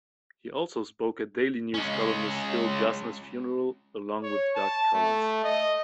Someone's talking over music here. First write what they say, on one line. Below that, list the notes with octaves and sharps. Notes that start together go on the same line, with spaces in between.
He also spoke at Daily News columnist Phil Jasner's funeral, along with Doug Collins.
G#3 C#4
C#5
A5
A3
D#5